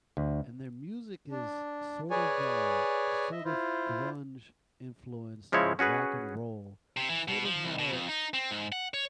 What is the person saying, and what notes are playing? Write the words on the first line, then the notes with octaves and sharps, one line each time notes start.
and their music is sort of, uh sort of grunge influenced, and rock and roll, sort of how,
D2
D4
G#4 B4 C#5 D5 G#5
D#5 E5
E4 F4 C5
C#3 F3 G#3 E4 C#5
C#4 F#4 G#4 B4
C3
E3
B2
F3
C2
B2
F2
D#4
C4
G#2
F#5
C#5